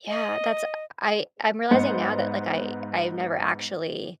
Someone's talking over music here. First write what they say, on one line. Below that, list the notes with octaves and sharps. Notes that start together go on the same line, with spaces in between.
Yeah, that's I I'm realizing now that, like, I I've never actually
D#5
G#2 B3 C5 C#7